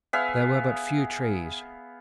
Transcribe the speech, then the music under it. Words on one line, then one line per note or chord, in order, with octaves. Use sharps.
There were but few trees.
B3 G#4 E5 F5